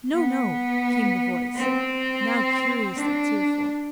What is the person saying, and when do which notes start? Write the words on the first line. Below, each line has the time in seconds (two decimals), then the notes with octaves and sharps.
"No, no," came the voice, now curiously tearful.
0.14 B3
1.55 C4
2.95 D4